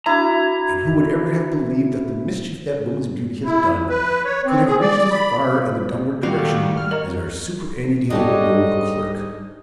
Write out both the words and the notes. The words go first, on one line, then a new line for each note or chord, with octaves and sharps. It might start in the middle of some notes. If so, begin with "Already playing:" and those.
And who would ever have believed that the mischief that woman's beauty has done could have reached as far in the downward direction as our superannuated old clerk?
D4 E4 F#4 A#5
E4
D#2
B4
C#5
C4
G#4
D5
B5
C#3
D#3 G3 F#4 G4 F5
A4
G3 D6
F6
A#4 C#5 D#5 A#5
G#2 G3 D4 D#4 G4 A4 C#5 D#5